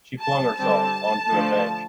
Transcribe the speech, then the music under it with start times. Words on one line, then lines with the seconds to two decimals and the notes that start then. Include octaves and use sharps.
She flung herself on to a bench.
0.20 A5
0.57 D3 G3 C4 A5
1.31 D3 F3 A3